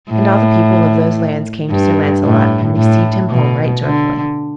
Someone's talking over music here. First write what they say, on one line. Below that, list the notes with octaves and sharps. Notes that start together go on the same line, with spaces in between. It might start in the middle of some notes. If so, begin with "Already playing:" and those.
And all the people of those lands came to Sir Launcelot, and received him home right joyfully.
A2
G2
A2
A2
B2
D3